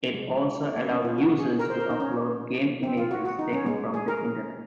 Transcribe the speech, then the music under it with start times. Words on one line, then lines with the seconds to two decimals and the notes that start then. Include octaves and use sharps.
It also allowed users to upload game images taken from the Internet.
0.14 G#3
0.76 A#3
0.91 C#4
1.04 F4
1.18 F#4
1.39 G#4
1.59 A#4
1.70 C5
1.80 A#4
1.90 D#4
2.00 C#4
2.83 C4
2.97 F4
3.11 F#4
3.25 F#4
3.39 D#4
3.53 C#4
3.66 G#3
3.94 G#4
4.08 A#4